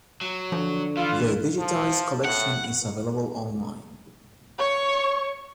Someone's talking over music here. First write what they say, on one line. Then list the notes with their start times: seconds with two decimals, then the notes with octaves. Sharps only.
The digitized collection is available online.
0.21 F#3
0.52 D3 F3
0.97 E3 F4
1.59 F3
2.24 A2 F#5
4.59 C#5 C#6